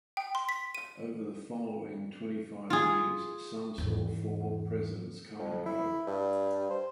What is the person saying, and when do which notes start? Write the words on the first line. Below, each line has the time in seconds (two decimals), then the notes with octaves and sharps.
Over the following twenty-five years, Sum saw four Presidents come and go.
0.17 G5
0.35 C6
0.49 B6
0.75 D#7
2.70 F4 G#4
3.78 E2 G#2
5.39 F2
5.66 E4
6.07 G2
6.71 C5